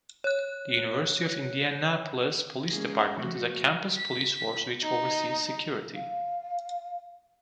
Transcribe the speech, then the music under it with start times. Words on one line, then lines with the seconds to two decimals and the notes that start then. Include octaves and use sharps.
The University of Indianapolis Police Department is a campus police force which oversees security.
0.24 C#5 F#6
2.68 G#3 A#3 C#4 G#4
3.16 F3 A3 F#4
3.97 B6
4.82 D#4
5.95 F5